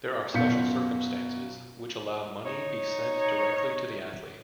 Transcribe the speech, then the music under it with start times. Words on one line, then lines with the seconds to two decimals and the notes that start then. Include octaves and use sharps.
There are special circumstances which allow money be sent directly to the athlete.
0.34 F#2 B2 F4 G6 B6 C#7
2.46 D#4 C#5